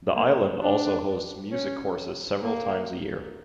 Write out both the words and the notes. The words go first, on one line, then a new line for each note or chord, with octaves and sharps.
The island also hosts music courses several times a year.
A#3
D4
C#4
A#3